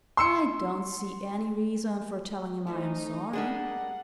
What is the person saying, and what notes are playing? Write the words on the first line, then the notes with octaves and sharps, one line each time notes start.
I don't see any reason for telling him I am sorry.
C6 E6 C#7
A3 C#4 D#4 C5
G3 G#3 D4 G#4 A#4 F#5